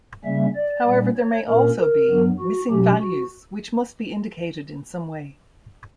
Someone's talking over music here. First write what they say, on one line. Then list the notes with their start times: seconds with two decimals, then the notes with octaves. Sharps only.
However, there may also be "missing values", which must be indicated in some way.
0.24 C#3 G3 A#3 C#4 E5
0.55 D5
0.86 A#2 G3 A#3 C#4
1.17 C#5
1.47 A#2 A#3 C#4 A#4
1.78 A#4
2.09 G2 F#3 B3
2.39 F#4
2.70 B2 F#3 C#4 G4
3.01 F#4